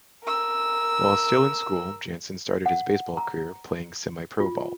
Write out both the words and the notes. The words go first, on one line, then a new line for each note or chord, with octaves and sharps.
While still in school Jansen started his baseball career playing semi-pro ball.
A#4 E6
F#5
A#5
F4